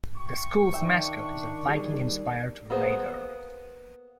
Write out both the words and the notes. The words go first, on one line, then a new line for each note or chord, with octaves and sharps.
The school's mascot is a Viking-inspired "Raider".
F4 G4 C#6
D#3 D4 E5 G5
G3 G#4
A#3 B3 G#4 B4 C5